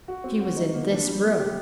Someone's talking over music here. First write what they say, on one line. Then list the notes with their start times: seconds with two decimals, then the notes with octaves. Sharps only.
She was in this room.
0.08 F#4
0.24 C4
0.41 F#4
0.57 D#4
0.74 A#3
0.90 D4
1.07 G3
1.23 A#3
1.39 G4